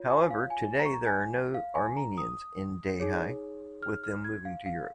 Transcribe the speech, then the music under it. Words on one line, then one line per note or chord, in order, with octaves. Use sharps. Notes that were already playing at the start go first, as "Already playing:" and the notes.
However, Today there are no Armenians in Dehi, with them moving to Europe.
Already playing: F4 C#5
G#5
F5
G#5
A#5
C#6
A#5
G#5
F5
G#5
A#5
D#6
D#4 G#4 C#5
F6
F6
G#6
F5
F5